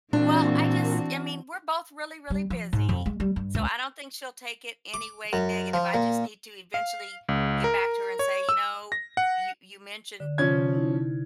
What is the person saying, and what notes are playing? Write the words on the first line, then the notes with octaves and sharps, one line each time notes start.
Well, I just I mean, we're both really, really busy, so I don't think she'll take it any way negative, I just need to eventually get back to her and say, you know, "You you mentioned,
A#2 E3 C4 D4 F#4
G3
F3
G#2
F2
G#3
G3
G2
C#2
D6
F#2
F3
A#2
F5
C#2
A#4
C#5
E6
A#6
F#5
D3
C3 F3 C#4 G#6
D#4 E4